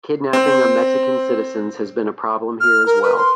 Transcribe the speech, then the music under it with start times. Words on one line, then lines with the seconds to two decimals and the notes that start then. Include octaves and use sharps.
Kidnapping of Mexican citizens has been a problem here as well.
0.33 C4
2.60 F6
2.86 A#4
3.03 B4
3.17 C6